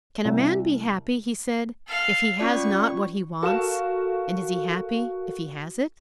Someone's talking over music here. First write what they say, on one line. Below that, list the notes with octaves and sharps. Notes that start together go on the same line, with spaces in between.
"Can a man be happy," he said, "if he has not what he wants, and is he happy if he has it?"
C2
A4 F5
C#4 F4 D5 C#6
F#4 A4 A#4 F5 E7